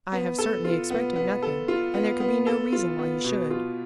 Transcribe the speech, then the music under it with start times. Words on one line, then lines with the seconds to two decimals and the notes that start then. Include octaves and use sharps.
"I have certainly expected nothing, and there could be no reason why he should."
0.12 B3
0.38 A4
0.64 F4
0.90 B3
1.16 B3
1.42 A4
1.68 F4
1.94 B3
2.20 B3
2.47 A4
2.72 F4
2.99 B3
3.24 B2
3.50 F4